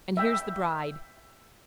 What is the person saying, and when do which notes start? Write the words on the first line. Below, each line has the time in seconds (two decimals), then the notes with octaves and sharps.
And here's the Bride!
0.17 E5 G5